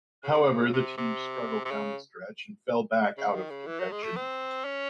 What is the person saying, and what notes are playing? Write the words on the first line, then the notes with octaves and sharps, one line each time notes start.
However, the team struggled down the stretch and fell back out of contention.
C#3
C3
C3
C3
C#3
C#3
D#3
C#3
E3
F#3
G#3
A3
C4
C#4